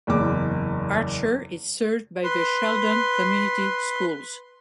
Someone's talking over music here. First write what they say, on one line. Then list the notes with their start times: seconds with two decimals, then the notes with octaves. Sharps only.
Archer is served by the Sheldon Community Schools.
0.07 F#1 E2 D6
2.24 B4 C6